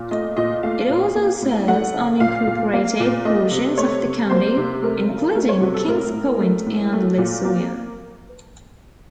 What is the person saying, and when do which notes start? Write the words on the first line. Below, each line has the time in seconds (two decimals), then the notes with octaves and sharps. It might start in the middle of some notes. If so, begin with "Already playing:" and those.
It also serves unincorporated portions of the county, including Kings Point and Losoya.
Already playing: A#2
0.11 A3 D#5
0.37 A#2 D#5
0.63 A3 F5
0.89 A#2
1.15 A#3
1.42 A2
1.68 A3 F#5
1.94 C#3
2.20 A#2 F5
2.47 A#2
2.73 A#3 F5
3.00 A#2
3.25 A3 D#5
3.51 C3
3.78 A3 C#5
4.04 C3
4.30 A#3 C5
4.57 C3
4.82 A3 A#4
5.08 C#3
5.35 A3 A#4
5.49 C#5
5.61 C3 F#4
5.74 A4
5.88 A2 A#4
6.13 A2
6.40 A3
6.66 A2
6.93 A3
7.18 A#2
7.45 A#3